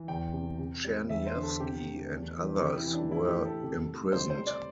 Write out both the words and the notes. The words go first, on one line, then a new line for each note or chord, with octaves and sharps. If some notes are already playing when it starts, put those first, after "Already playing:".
Czerniawski and others were imprisoned.
Already playing: E3
E2 G5
C3
C3
G3
E2 E5
C5
D3
A4
C3 G4
A3
E2
E3
C3 G4
E4
E3
D4
A2 E4
G4
A3
A4
C3
A3
C3 C5
C5
G3
D5